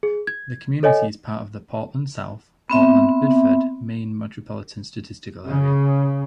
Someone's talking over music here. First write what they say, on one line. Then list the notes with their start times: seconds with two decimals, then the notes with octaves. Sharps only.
The community is part of the Portland-South Portland-Biddeford, Maine Metropolitan Statistical Area.
0.03 G#4
0.27 G#6
0.83 A4 C#5 D#5 G#5
2.70 B3 C4 E5
5.45 C#3